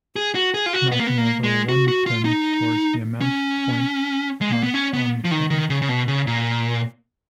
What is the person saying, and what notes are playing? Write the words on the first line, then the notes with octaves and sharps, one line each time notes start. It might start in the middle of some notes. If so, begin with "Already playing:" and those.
Knocking over one pin scores the amount of points marked on the pin.
G#4
F#4
G#4
F4
F#4
B3
A#3
B3
A#3
G#3
F#4
F#4
F4
D#4
C#4
G#3
A#3
B3
C#4
B3
F3
D#3
D#3
C#3
C#3
B2
C#3
A#2